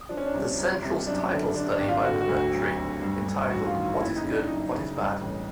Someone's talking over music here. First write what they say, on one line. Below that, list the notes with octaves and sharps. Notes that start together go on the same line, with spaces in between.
The central title study by McMurtry, entitled, What is Good, What is Bad?
F3 D4
C#4
D4
C2
C2
C2
F#2 D4
D3
D3 D4
D4
G#1
F4
D3 F#4
F#4
D2
F#4
F#3
D2
G2
G2
A1 F#4
F4
D#3
F4
F#1 E4
D#4
C#3
D4
F#2 D#4
C#3
G2
A1